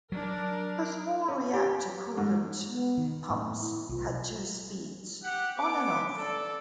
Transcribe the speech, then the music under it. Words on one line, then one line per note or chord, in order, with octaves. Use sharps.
Her small reactor coolant pumps had two speeds: On and Off.
F#3 D4 A#4
C#4
G4
G#2
B3
D#3
A2 A3
E4
B1 F4
G4 F#5
B3 D6
A4 D5